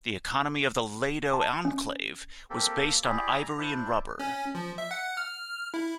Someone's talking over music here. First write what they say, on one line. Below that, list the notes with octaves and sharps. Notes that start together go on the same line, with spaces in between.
The economy of the Lado Enclave was based on ivory and rubber.
A5
C#4
A#3 C4 G4 A4
E4 G4 G#4 D5
A#5
D4 E4 C5 D5
C#4
F3
E5
F#5
F6
E4